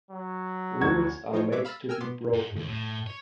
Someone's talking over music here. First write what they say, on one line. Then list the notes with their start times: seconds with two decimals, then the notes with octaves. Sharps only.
Rules are made to be broken.
0.11 F#3
0.81 D2 F#4 G#6
1.33 F3 D#4 F4 C5 C#5
1.51 A2 G#3 B3 C#5 E5 D6
1.65 F5 B5 E6 F6 A6
1.89 A#4 G5 G#5 E6 F6 G#6
2.00 B2 B3 C6 D6
2.33 G#2
2.56 D#2
2.68 A2
3.06 C#5